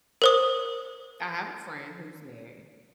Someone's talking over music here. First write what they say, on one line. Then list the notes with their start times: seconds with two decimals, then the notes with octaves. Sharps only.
I have a friend who's married
0.22 A#4 C5 D#6